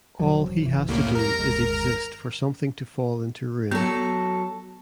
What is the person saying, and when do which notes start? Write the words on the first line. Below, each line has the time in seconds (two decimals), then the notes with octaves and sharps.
All he has to do is exist for something to fall into ruin.
0.19 E1 F3 F#3
0.62 G1 E3
0.88 C2 F2 A2 G3 A#3
1.15 A#4 A#5
1.40 G1 D#2 G#3
3.71 F#3 B3 A4